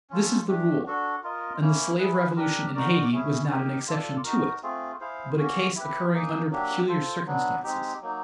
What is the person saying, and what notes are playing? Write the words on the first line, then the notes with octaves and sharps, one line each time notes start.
This is the rule; and the slave revolution in Hayti was not an exception to it, but a case occurring under peculiar circumstances.
C#4 F4 A4
A3 D4 G4
D4 F#4 A4
F4 A#4 D#5
A#3 C#4 E4
E4 G#4 B4
D4 G4 A#4
D#4 F#4 A#4 D5
A3 C#4 E4 G#4
D#4 G4 A#4
F4 A4 D5
D#4 F#4 A#4
A3 C4 F4 G#4
E4 G#4 C5 F5
A#3 C#4 F#4
E4 G4 B4
A#3 D#4 G#4
F#3 A#3 D4 G4
F4 A4 C5
F#3 B3 D4
G#3 C4 D#4 G4
F#3 A#3 D#4